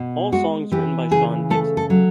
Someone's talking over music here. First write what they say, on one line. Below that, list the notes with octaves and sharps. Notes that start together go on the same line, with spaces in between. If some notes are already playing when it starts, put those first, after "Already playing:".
All songs written by Sean Dickson.
Already playing: B2
G#3 F#4
E3 G4
C#3 G#4
A3 A4
A4
F#3